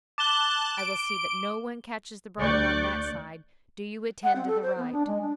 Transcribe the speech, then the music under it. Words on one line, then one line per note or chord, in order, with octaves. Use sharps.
I will see that no one catches the bridle on that side; do you attend to the right.
A5 D6 F#6 E7 G7
D7
D2 D5 C#6 F#6 G6
F#5
C4
A4
C5
B3
D4
G#3
D4